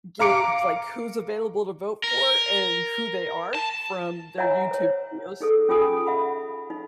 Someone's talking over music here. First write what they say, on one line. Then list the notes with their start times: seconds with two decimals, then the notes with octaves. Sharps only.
gauge, like, who's available to vote for and who they are from their YouTube videos.
0.19 F5 A#5 D6 C#7 D7
2.04 A#4
3.55 A5
4.38 C#5 E5 F#5 G#5 A#5
4.71 C5 C#5
5.40 D#4 G#4 A4
5.69 C#4 F4 G#4 A4 G#5 D#6
6.07 E5 F#5 B5
6.70 D#4